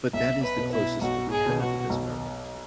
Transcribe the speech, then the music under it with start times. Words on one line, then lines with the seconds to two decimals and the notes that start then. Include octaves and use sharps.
But that is the closest that we have at this moment.
0.13 B1 E5
0.43 B4
0.57 B2 B3
0.72 E4
1.01 B1 F#4
1.31 G#4
1.46 B2 B3
1.61 F#4
1.90 B1